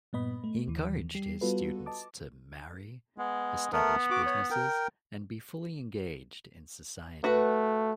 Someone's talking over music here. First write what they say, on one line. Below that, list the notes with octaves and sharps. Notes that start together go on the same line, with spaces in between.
He encouraged his students to marry, establish businesses, and be fully engaged in society.
G2 A#2 B3 D#5 B5
A3
D#2 E3
G3 G4 C7
G3 B3 F4 F#4 A4 B4
D#5 A5 D6
G#3 B3
A3 B3 A#4
F#4 D6
C#5
A#4 G5
A3 F#4 B4